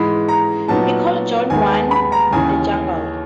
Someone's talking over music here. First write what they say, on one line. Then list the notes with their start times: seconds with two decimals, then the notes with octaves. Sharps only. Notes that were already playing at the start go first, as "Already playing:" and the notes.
Nicol joined One the Juggler.
Already playing: G#2 E3 G#3 B5
0.28 A#5
0.68 A#2 F#3 B3 D#4 A5
1.50 D#2 D#3 G#3 B3 G#5
1.71 A5
1.91 B5
2.12 A#5
2.32 D#2 C#3 E3 G#5